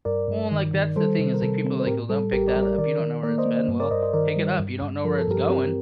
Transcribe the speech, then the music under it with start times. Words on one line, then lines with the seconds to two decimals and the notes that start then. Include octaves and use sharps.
Well, like, that's the thing is like people like, "Well, don't pick that up, you don't know where it's been." well, pick it up, you don't know where it's going.
0.05 G2 A#4 D5
0.28 G2
0.51 D#3
0.74 D#3
0.96 G3 A4 C5
1.19 C3
1.34 A#4
1.42 C3 A4
1.65 C4
1.80 C5
1.87 A2 G4 A#4
2.09 G3 A4
2.32 A1 G4 A#4
2.47 A#4 D5
2.56 G3
2.63 A#4 D5
2.78 D#3 A#4 D5
3.00 D#3
3.23 A#3 A#4 D5
3.38 C5 D#5
3.45 A#3
3.68 G2
3.80 A#4 D5
3.91 G2 C5 D#5
4.03 C5 D#5
4.13 D#3 A#4 D5
4.36 G3
4.59 G2
4.82 G2
5.05 F3 A#4
5.18 A4
5.28 G2 G4 A#4
5.50 C4 G4 A#4